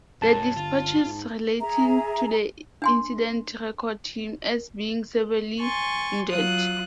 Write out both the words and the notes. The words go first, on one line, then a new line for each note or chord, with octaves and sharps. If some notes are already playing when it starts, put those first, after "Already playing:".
The despatches relating to the incident record him as being severely wounded.
B1 F#2 A5
G1 F4
G#2
G#4 E5 A#5
D4 G#5 C6
G#5 C6 C#6 A6
F#3 F4 D#6 F#6